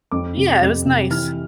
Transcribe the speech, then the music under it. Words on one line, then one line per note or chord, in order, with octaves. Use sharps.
Yeah, it was nice.
F2 D6
C3
F2
C3
E3 F6